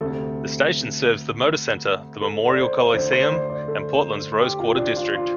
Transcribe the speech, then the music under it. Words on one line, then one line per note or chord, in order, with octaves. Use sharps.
The station serves the Moda Center, the Memorial Coliseum, and Portland's Rose Quarter district.
D2 C3 A4
A4
D5
C5
D2 D3 C5
C5
D5
D5
A4
G4
F4
D4
F4
F4